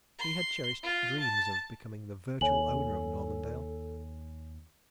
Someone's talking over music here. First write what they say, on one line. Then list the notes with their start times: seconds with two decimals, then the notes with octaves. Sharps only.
He had cherished dreams of becoming the virtual owner of Normandale.
0.19 C6
0.83 F4
1.20 A5
2.41 D#2 A4 C#5 G#5 F#7